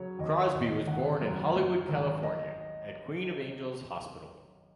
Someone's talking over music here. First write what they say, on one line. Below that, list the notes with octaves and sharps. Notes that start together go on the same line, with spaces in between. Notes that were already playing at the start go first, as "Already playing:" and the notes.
Crosby was born in Hollywood, California, at Queen of Angels Hospital.
Already playing: C#3 F#3 C#5
D#2 D#5
C#5
D#2
D#5
G#1 F#5
F#2
F#2
G#1
D#5